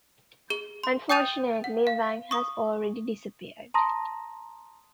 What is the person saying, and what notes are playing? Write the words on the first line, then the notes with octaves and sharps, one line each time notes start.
Unfortunately, Wang has already disappeared.
G#4 G7
C6
G5 D#6 G6 A6 D#7 F7
F#5
F5
C#6 D#6
A5 A#5 C6 D#6 A#6